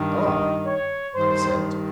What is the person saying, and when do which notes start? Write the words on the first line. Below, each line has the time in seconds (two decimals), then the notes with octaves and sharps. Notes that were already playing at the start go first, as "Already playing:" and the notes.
"Oh!" I said.
Already playing: G2 D#3
0.17 D#5
0.66 C#5
1.15 G2 D#3 C5